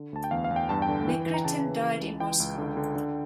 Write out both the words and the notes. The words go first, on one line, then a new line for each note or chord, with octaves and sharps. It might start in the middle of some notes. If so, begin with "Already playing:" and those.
Nikritin died in Moscow.
Already playing: D3
D2 A5
G5
E2 F5
F5
E2
G5
G2 A5
G5
D3
E3
E3
A#5
C#3 A5
C#3
E3
C#2
E3 G5
C#2
D3
D3
D3